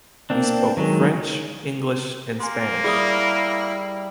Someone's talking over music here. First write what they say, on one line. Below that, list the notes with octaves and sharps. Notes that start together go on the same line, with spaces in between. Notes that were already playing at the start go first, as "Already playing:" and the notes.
He spoke French, English, and Spanish.
A#3 C4 D4
D#3 F#3 G#3
A#3 G#5 C6
G3 E4 G#4 D#6